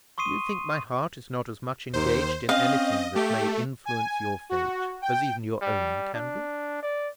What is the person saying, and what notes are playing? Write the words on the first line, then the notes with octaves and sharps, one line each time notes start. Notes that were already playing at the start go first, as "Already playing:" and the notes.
Do you think my heart is not as much engaged in anything that may influence your fate as even your own can be?
C6 C#6 D#6 C7 D#7
D#2 C5
C4 C#4 D#5 F5
A3 G4
G#5
F#4
G5
G3
D4
D5